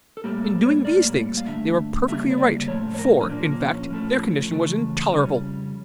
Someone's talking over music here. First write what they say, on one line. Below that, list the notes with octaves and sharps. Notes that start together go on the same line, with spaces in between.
In doing these things they were perfectly right; for, in fact, their condition was intolerable.
A4
A2 G3 A#3 G4
A4
C#5
A2 G3 A#3 D5
F5
G2 D3 A3 E5
D2 C#3 G3 A#3 E5
C#5
D5
A2 F3 A3 C#5
C#5
A#4
C#4
A#2 F3 A#3 D4
A#3
C#4
A2 F3 A3
C#2 C#3 E3 A3
F2 C#3 G3 C#4